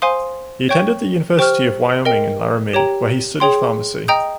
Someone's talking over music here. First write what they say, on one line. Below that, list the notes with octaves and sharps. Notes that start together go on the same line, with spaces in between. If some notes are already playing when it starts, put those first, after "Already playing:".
He attended the University of Wyoming in Laramie, where he studied pharmacy.
C5 F5 G#5 C6 D#6
C#5 G5 C#6 G6
G4 C5 G5 C#6 F6
A#4 D#5 G5
G4 C#5 G5 A#5
G#4 C#5 G5 C6
D#5 G5 A#5 D#6 G6